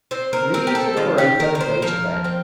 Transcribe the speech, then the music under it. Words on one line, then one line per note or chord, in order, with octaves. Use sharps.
Leave the door open, and go to bed.
C4 C5
A#4
C4 A#4
G4
A4
D#3 F4
G4
D#3 A#4
A#4
C5
F3 A#4
C4